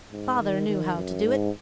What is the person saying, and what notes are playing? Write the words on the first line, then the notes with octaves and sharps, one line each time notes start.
"Father knew how to do it."
G#2
D#3
D#3
F#2
G#2